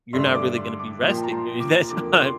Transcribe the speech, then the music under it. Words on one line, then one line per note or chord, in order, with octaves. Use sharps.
you're not really gonna be resting during that time,
G2 D3 A3 C6
D6
C6
D6
A#2 F3 A#3 C6
G5
A5
A#5
C6
D6
F2 D3 F3 A#3 D6
C6